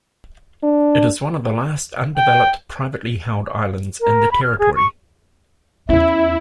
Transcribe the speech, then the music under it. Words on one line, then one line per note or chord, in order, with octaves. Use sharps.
It is one of the last undeveloped privately held islands in the Territory.
D4
G5
A#4
B5
F6
G#4
C#6
E2 C#4 E4 E5